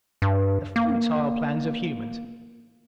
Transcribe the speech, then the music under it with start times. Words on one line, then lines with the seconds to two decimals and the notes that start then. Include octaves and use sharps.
The futile plans of humans!
0.22 G2
0.76 A#3